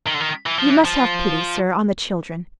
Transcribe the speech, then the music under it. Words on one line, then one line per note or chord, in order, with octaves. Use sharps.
You must have pity, sir, on the children.
D#3
D3
D#3
E3
F3
E3
F3